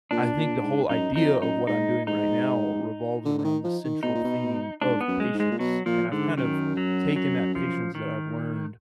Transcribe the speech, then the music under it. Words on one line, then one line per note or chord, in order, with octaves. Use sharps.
I think the whole idea of what I'm doing right now revolves around the central theme of patience, and I've kind of taken that patience that I've learned
A#2 D4
A#2
G#2
F#2 D#4
F2 D#4
F#2 D#4
G#2 D#4
G#2 D#4
D3
D3
D#3
F3
D#3
B2 D#4
A#2
B2
G#2 D4
B3
F#2
G#3
G#2
G#3
A#2
B2 F#3
A#2 F3
G#2 D3
F#2 D#3
F#3
F#3
F3
D#3